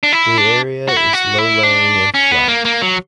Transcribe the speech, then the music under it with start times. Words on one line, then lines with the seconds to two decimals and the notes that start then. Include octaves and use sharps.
The area is low laying and flat.
0.03 D4
0.12 E4
0.38 D4
0.88 F#4
0.97 E4
1.13 F#4
1.38 E4
1.63 D4
2.14 C#4
2.32 B3
2.48 A#3
2.65 A#3
2.82 F#3